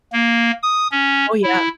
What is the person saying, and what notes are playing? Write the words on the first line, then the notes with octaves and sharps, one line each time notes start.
Oh, yeah.
A#3
D#6
C#4
E4